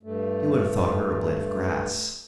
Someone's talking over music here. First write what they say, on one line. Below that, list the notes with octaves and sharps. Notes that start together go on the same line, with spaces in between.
You would have thought her a blade of grass.
G2 A3